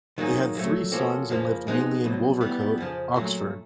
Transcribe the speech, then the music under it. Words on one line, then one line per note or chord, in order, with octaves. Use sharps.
They had three sons and lived mainly in Wolvercote, Oxford.
D#3 F#3 A#3 D#4 G#4
A#2 F#3 A3
F3 A#3 C#4 F#4 A4
F2 C#3 F3 A#3
F3 G#3 B3 D#4
C2 B2 F#3
E3 G3 B3
F2 C#3 F3
A#2 F#3 A3